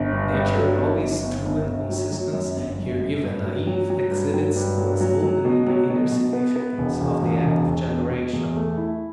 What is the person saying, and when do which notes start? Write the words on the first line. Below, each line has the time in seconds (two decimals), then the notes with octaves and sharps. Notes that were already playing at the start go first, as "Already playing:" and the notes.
Nature, always true and consistent, here even naive, exhibits to us openly the inner significance of the act of generation.
Already playing: G1
0.11 G2
0.34 G2
0.57 F#3
0.78 G1
1.00 G1
1.23 G1
1.46 G1
1.67 G1
1.90 F#3
2.12 F#3
2.33 F#2
2.57 G1
2.79 F#2
3.00 F#2
3.22 G2
3.46 F#3
3.67 F#3
3.90 F#3
4.11 G2
4.34 F#3
4.56 G2
4.78 F#3
5.01 F#3
5.23 F#3
5.45 B2
5.67 F#3
5.90 B2
6.12 B2
6.33 B3
6.56 B3
6.78 E1
7.01 E1
7.23 E2
7.44 E1
7.67 E1
7.89 B2
8.11 B2
8.33 E2
8.56 A3
8.78 E4